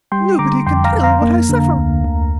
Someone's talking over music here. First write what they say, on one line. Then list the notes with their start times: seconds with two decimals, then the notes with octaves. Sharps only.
Nobody can tell what I suffer!
0.12 G3 G5 C6
0.39 D3 A#5 D6
0.66 F2 G5 C6
0.85 F5 A#5
0.94 F2
1.03 F5 A#5
1.22 A#3
1.49 D3
1.77 D2
2.04 D2